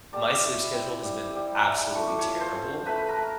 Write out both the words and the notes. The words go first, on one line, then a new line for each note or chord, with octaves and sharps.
my sleep schedule has been absolutely terrible,
G3 D5 D6
E4
C4
G3
G3
E4
A3 C#6
D6
C#5 C#6
F4
C5 C6
C#4
A3 B4 B5
A#4 A#5
A3